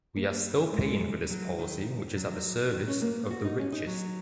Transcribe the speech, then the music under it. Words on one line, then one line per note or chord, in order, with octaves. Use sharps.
We are still paying for this policy which is at the service of the richest.
A#3
G#3
F#3
D#3
F#3
D#3
C#4
A#3
F#4
D#4
C#4
D#4
F#3